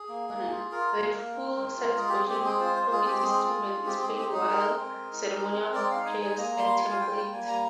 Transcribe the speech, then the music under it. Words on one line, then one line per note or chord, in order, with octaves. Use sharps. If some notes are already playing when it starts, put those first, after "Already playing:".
The full sized version of this instrument is played while ceremonial prayers at temples.
Already playing: G#4
A#3
A#3
F4
F4 A#4
A#3
A#3
C4
G#3
F4
G#3 G#4
G4
G#4
C4
G4
G#3
G#4
F4 C5
C5
G#3
G#4
C4 G4
G#3 G#4
F4
G#3
C4 G4
G#3 G#4
G4
D#4
G#4
G#3 A#4
C4
G#3
D#4
G#3
C4
G#3 D5
F5
D#4
G#5
G#3 G#5
A#3 A#5
G3 C6
F4 G#5
F5
G3 G5
A#3 G5
G#5
G3
A#5